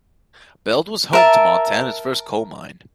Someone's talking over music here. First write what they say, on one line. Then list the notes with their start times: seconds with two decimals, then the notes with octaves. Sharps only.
Belt was home to Montana's first coal mine.
1.13 A#4 E5 A5